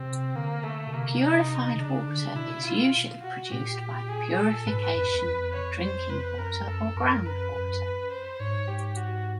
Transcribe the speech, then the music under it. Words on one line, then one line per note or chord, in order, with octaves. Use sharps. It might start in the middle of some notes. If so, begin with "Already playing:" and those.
Purified water is usually produced by the purification of drinking water or ground water.
Already playing: C3 C4
D3 A#3
A3
B2
C3 A#3
D#4
D#4
D3
C#3 D4
D3
C#3
B2 E4
F4
F#4
A#2 G4
G#4
A4
G#2 B4
F#2
E2
F2
C#5
C5
B4
F#2 A#4
A4
F#2 A#4
B4
F#2
C5
G#2 C#5
G4
F#4